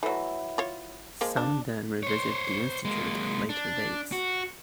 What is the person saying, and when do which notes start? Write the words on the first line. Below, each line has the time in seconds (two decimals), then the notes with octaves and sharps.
Some then revisit the Institute at later dates.
0.03 E3 F#3 A3
0.58 F4 C#5
1.21 F3 G#3 A#3
1.37 D4
2.03 C5 C#5
2.85 G#3 A#3
3.49 D4
4.12 F#4